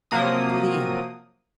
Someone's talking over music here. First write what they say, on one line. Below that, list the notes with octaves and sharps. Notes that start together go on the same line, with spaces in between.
"To the end."
C3 F3 F#3 A#3 D#6